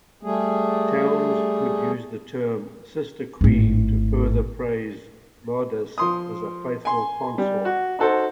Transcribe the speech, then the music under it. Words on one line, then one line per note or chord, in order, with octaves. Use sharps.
Towns could use the term "sister-queen" to further praise Laodice as a faithful consort.
G3 A3 G#4
G#1 A2
F3 C6 D#6
G#5 C6
G3
F#4
D#4 F#4 A4 C5